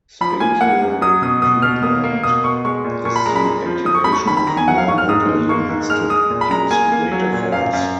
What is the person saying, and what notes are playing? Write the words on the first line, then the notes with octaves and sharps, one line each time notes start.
Spatial recruitment is the activation of more motor units to produce a greater force.
F3 B5
A#3 G#5
A#3 F#5
F#2
F#3 D#6
B2 D#6
B2 D#6
B2 F6
A#3 D#6
A#3
B2 D#6
B2 C#6
G#3 C#6
A#2
A#2 C#6
B5
G#3 A#5
B5
F2
F3
F2 D#6
C#6
F2 B5
C#6
D#3 B5
B5
D#3 A#5
G#5
F#3 F#5
F5
G#2 C#6
F6
G#2 D#6
G#2
A#3 C#6
G#2
G#3 F6
G#3 D#6
A#2
B5
G#3 A#5
A#3 G#5
A#3
F#3
A#2
F#2 F5
F#2